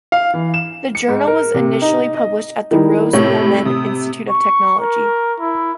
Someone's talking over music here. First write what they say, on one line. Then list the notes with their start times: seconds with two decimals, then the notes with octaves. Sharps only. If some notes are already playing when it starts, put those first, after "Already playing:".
The journal was initially published at the Rose-Hulman Institute of Technology.
0.12 F5
0.34 E3
0.54 E7
0.95 C#7
1.08 G#2
1.28 A#4
1.54 C3
1.82 D#4
2.14 D#5
2.71 D#3 G3 D#4 E4
3.13 A2 C3 G4 C#5
3.36 B5
3.65 C3 D#6
4.30 C#6
4.80 A#4
5.40 E4